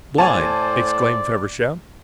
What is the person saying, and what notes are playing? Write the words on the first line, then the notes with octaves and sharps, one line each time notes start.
"Blind!" exclaimed Feversham.
A2 C5 D5 G#5 A5